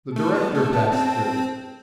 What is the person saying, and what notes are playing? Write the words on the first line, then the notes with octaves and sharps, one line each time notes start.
The director passed through.
A3 A5
B3
A3
B3
C4